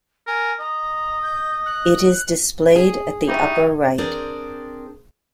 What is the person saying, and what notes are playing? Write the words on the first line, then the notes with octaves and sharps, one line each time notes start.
It is displayed at the upper right.
A#4 G#5
D#5 A#5
G6
F#6
G#4
D#4 E4 G4
C4 D4 G#4 A#4 C5 D5